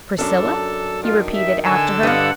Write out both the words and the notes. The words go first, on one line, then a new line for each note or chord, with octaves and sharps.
"Priscilla?" he repeated, after her.
F#2 D4 A4
D#3 F4
E5
D3 A4 G#5 E6
G2 D#5 F5 F#5